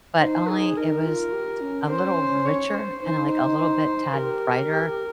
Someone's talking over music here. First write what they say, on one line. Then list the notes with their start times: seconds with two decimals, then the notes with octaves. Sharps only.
but only it was t a little richer and, like, a little bit tad brighter,
0.20 D#4 C5
0.48 D#4 G#4
0.76 D#4 A#4
1.04 F4
1.33 G4
1.61 C#4
1.88 C#4 C5
2.45 C#5
2.73 C5
3.01 D#4 C5
3.29 C5
4.14 G4 A#4